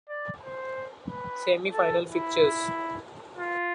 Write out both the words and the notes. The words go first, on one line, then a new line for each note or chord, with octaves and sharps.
Semi final fixtures.
D5
C5
B4
A4
E4
F4